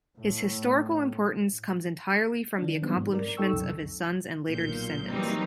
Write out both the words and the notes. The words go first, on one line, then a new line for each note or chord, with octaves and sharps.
His historical importance comes entirely from the accomplishments of his sons and later descendants.
A2
D#3 D4
E3 F#3 G3 B3 C4 D#4
G#2
A#4 D5
D#4 A4 G5 C#6 E6
C#2 F#2 C3
B1 A#2 G6
E3 F#3 G3 A#3 C4 D#4